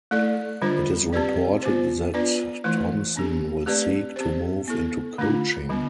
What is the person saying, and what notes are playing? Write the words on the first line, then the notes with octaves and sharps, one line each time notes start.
It is reported that Thompson will seek to move into coaching.
A3 E4 A4 D5
D3 G3 D4 F4 C5
C4 G4 B4 D5
B3 F4 C5
B3 D4 F4 B4 D5
E3 A3 E4 B4
B3 D4 G4
A3 C4 G4 B4 D5
C4 G4 C5
B3 E4 A4
D3 A3 D4 F4
D3 G3 B3